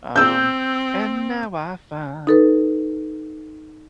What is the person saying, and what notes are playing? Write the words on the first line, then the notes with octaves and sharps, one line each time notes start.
Um, And now I find,
C4 E6 G6
D#4 A4 B4